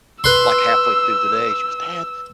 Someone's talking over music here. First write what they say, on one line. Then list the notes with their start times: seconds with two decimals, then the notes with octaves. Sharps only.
like, halfway through the day, she goes, "Dad,
0.24 B4 C6 E6